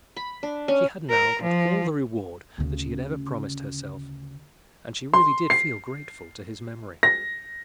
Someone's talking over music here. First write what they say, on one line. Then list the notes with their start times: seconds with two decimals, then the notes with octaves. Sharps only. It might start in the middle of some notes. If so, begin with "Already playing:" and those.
She had now got all the reward that she had ever promised herself, and she really did feel grateful to his memory.
0.16 B5
0.43 D4
0.68 C#4
1.10 A#4
1.42 F3
2.58 D2 C#3
5.14 C6
5.50 C7
7.03 A#6